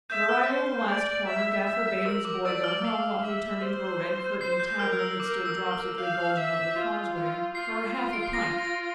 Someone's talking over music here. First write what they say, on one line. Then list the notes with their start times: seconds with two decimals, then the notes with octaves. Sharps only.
But, arriving at the last corner, Gaffer bade his boy go home while he turned into a red-curtained tavern, that stood dropsically bulging over the causeway, 'for a half-a-pint.'
0.10 E5 G6
0.29 F6
0.49 C5
0.88 D5
1.27 E5
1.66 E5
2.06 A#4 E6
2.25 D6
2.45 D5 E6
2.64 F6
2.84 F5
3.24 E5
3.62 C5
4.41 C5 C7
4.60 G6
4.79 A#4 F6
4.99 E6
5.19 A#4 D6
5.45 E6
5.71 F6
5.98 F5 G6
6.37 E5
6.76 F4
7.15 F4
7.54 F4 C7
8.13 D7
8.23 C7
8.33 A#6
8.58 A#6